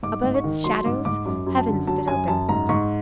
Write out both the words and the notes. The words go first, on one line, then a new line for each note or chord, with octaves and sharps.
Above its shadows heaven stood open.
G#2 D6
G#2
C#6
D#3
F#3 C6
G#2 D6
G#2 D6
F#2 D6
F#2
A5
D3
F#3 A5
F#2 G#5
F#2 A5
G#2 A#5
G#2 C#6